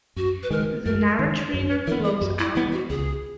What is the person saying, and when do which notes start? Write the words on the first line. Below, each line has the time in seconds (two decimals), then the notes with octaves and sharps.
The Narach River flows out of it.
0.16 F#2 F#4
0.43 B4
0.50 D#3 G#3 A#4
0.86 F#2 A#4
1.19 D#3 G#3
1.49 B4
1.54 F#2 C#5
1.70 B4
1.87 E3 B3 A#4
2.04 G#4
2.21 F#2 F#4
2.39 E4
2.55 E3 B3 E4
2.72 F#4
2.90 C#2 G#4